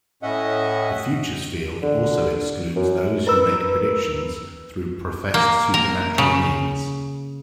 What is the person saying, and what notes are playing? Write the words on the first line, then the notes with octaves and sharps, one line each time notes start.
The futures field also excludes those who make future predictions through professed supernatural means.
A2 C#4 D#5 E5 F#5
D3
F#2
A#4 B4 E6
A#3
A#4
C#3